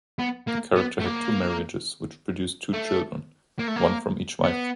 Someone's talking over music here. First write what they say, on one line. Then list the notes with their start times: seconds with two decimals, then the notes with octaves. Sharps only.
The character had two marriages which produced two children - one from each wife.
0.19 B3
0.47 A#3
0.76 B3
1.00 A3
1.05 A#3
2.73 A3
3.59 A#3
3.68 A3
3.76 A#3
4.44 B3